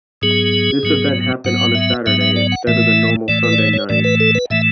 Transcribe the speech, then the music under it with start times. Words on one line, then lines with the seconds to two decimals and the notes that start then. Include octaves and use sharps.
This event happened on a Saturday, instead of the normal Sunday night.
0.22 G#2 F#3 B3 G#4
0.83 G#2 F#3 B3
1.45 G#2 F#3 B3 F#5
1.75 E5
2.06 G#2 F#3 B3 E5
2.21 E5
2.36 D5
2.52 F#5
2.67 A2 E3 A3 E5
3.28 A2 E3 A3 D5
3.44 B4
3.53 D5
3.58 C#5
3.73 C#5
3.89 A2 E3 A3 D5
4.04 B4
4.20 A4
4.35 B4
4.50 A2 E3 A3 E5